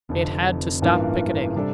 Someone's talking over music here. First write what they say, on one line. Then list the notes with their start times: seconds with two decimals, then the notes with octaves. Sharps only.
It had to stop picketing.
0.09 F1 F2 D3
0.82 A1 G2 E3 A#3 F4
1.55 C3 G3 D4 A4